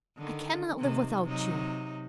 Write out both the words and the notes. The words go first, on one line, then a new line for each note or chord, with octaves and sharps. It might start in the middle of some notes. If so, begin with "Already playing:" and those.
I cannot live without you!
D3 D#3
C3 D#3
C3 F#3 D#4